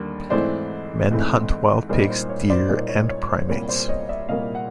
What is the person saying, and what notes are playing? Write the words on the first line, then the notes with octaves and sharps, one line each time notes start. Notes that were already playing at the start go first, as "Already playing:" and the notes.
Men hunt wild pigs, deer and primates.
Already playing: D#2 D3 G3 A#3
G#2 E3 A3 C4 E4 C5 D5
G#2 E3 A3 C4 E4
A#2 G3 A#3 D#4 C5
C5
C#5
C5 D5
A#2 G3 A#3 D#4 C5 D5
C#5
C#5
C5
C2 A#2 G3 A#3 C#5
C5 D5
C#5 D#5
D5 E5
C2 A#2 G3 A#3 D#5 F5
F#5